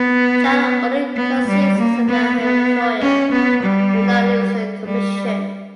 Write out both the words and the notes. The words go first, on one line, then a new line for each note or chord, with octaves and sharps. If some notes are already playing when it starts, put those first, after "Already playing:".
Jan only concedes so that her employer will not lose the commission.
Already playing: B3
B3
G3
A#3
B3
B3
C#4
B3
G3
G3